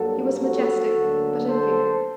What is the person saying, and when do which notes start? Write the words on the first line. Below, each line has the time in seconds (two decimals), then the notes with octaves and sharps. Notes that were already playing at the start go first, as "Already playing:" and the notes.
He was majestic, but inferior.
Already playing: G2 F#3 A#3 F#4 A4
0.44 F#4 A4
0.96 D2 D3 F#3 A#3
1.48 A4 C5